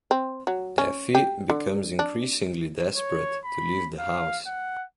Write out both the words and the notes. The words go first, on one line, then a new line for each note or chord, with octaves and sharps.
Effie becomes increasingly desperate to leave the house.
C4
F#3
C#4
G4
D3
D4
C#5
B5
F5
F#5